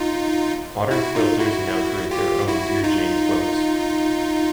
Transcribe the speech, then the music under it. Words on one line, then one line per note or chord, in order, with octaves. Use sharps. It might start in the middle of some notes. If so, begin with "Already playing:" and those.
Modern quilters now create their own Dear Jane quilts.
Already playing: D#4 F4
E4 F#4
D#4 F4
E4 F#4
F4 G4
E4 F#4
D#4 F4